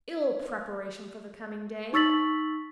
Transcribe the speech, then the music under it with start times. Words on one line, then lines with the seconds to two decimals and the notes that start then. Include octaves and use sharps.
Ill preparation for the coming day!
1.93 D#4 C#6 E6 A6 B6 F#7